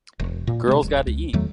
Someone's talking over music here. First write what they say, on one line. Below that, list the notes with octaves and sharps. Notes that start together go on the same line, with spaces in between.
Girl's gotta eat!
E1
A#2
C3 G#3
D1
C#2
E2 D#3 F#3 A3